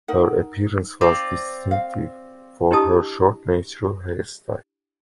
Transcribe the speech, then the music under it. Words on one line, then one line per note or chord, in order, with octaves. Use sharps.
Her appearance was distinctive for her short natural hairstyle.
D#4 A#4 F#5
C4 F4 D5
F5
D4 E4 G4 D#5 A5 D#6